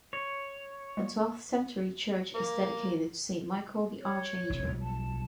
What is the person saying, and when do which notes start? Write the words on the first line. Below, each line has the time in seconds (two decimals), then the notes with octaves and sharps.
The twelfth- century church is dedicated to Saint Michael the Archangel.
0.13 C#5
0.97 G3 G#3 A#3
2.34 A#3
4.00 C#5
4.50 F1 A#1 C#3
4.63 B1 F3 G3
4.80 A5